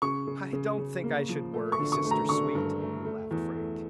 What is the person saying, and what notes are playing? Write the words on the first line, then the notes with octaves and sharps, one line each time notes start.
"I don't think I should worry, sister sweet," laughed Frank.
C#3 C#6
C#3
C#3
C#3
A#3
F3
A3
C#6
D3
C#6
A3
A#5
D3 C#6
G2
A3
A3
E2
A3